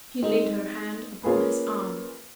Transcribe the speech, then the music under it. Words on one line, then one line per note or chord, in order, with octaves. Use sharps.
She laid her hand upon his arm.
G#3 C4 D#4
A#3 C#4 F4 G#4 B4